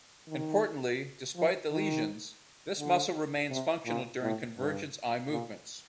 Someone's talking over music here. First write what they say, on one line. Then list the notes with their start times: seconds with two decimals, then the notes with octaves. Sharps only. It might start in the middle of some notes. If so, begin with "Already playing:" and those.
Importantly, despite the lesions, this muscle remains functional during convergence eye movements.
0.28 D#3
1.36 F3
1.72 D#3
2.80 D3
3.50 C3
3.86 A#2
4.22 A2
4.58 G2
5.31 A#2